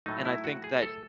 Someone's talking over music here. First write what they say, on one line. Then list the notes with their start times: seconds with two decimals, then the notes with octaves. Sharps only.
And, I think that
0.06 A2 F#3 A3 D#4
0.25 E4
0.44 F#4
0.64 G#4
0.82 A4